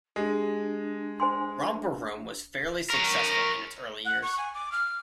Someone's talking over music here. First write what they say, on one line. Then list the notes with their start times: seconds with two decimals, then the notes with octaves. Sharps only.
"Romper Room" was fairly successful in its early years.
0.16 G#3 D4 G4
1.20 C5 G#5 C6
2.90 A#4 C#5
4.05 F#5
4.22 C#6
4.38 G#5
4.54 D6
4.72 F6